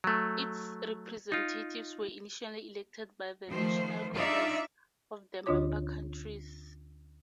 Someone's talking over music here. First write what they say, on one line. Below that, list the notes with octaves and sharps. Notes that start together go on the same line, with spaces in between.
Its representatives were initially elected by the national congresses of the member countries.
F#3 A3
D#4 F4
D#3 F3 A3 C5
D4 D#4 F4 D5 E5
D2 D3 D4 F4 C#5 D6